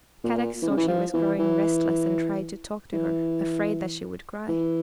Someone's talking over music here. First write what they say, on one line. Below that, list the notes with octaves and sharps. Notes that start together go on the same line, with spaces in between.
Kadok saw she was growing restless and tried to talk to her, afraid that she would cry.
A#2
E3
C#3
E3
F3
E3
E3
E3
E3